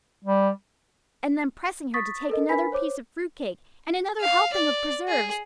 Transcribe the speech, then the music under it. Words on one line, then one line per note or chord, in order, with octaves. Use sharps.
And then pressing her to take another piece of fruit cake and another helping of preserves.
G3
C#6 D#6 A6 B6
A4 A#4 D#5
D4 A#4 B4 G#5 B5 B6
C5 C#5 D6
F5
D5
G#4